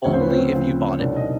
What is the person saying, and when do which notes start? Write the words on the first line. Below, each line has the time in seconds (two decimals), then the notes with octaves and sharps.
Only if you bought it.
0.04 D2 C#3 F3 C#5
0.13 C5
0.21 B4
0.29 C4 C5
0.53 D2 C#3 F3
0.88 C#5
0.99 C2 B2 D4 D5
1.16 D#4 D#5